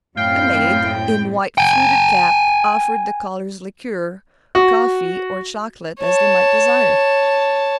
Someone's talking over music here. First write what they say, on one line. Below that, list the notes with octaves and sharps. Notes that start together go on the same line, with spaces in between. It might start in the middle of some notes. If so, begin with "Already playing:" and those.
A maid, in white fluted cap, offered the callers liqueur, coffee, or chocolate, as they might desire.
F#2 A2 C4 F5 G5
G5 G#5
F#4
C#5 A5